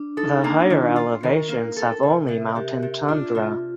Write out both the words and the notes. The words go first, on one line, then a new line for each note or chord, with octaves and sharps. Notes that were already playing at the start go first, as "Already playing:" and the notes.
The higher elevations have only mountain tundra.
Already playing: D4
D#4 A4
A#3 D4
D#3 F4
F4
D#3 A#4
A#3
A4
C3
C3
C3 G4
C3
D4 F4
C3 F4